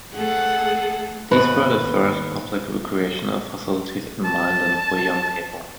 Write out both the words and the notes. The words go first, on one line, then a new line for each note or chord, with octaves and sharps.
These were the first public recreational facilities in Minden for young people.
A3 G#4 A4 F#5
D#2 G#2 B3 B4
A5